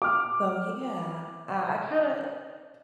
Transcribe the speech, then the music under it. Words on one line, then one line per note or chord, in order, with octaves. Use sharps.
So, yeah, I I kinda
D6 F6